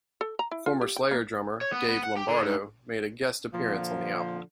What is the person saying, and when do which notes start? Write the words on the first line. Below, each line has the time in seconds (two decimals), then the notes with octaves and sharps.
Former Slayer drummer Dave Lombardo made a guest appearance on the album.
0.21 A4
0.39 A#5
0.51 E4
0.66 F4
0.81 G4
0.96 G5
1.11 A#3
1.61 C#5
1.72 B3
1.89 B3
2.03 F#5
2.17 G4
2.29 D3
2.41 G#2
3.53 A#2 D3 F3